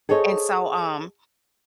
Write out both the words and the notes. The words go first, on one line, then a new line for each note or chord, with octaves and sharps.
and so, um
G#4 A4 C5 C#5 D#5